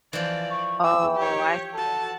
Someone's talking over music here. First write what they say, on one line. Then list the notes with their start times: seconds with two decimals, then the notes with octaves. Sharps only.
Oh, I see.
0.13 E3 F3 D5
0.51 C#6
0.84 G5 E6
1.17 G4 C#5
1.74 F#4 A4 A5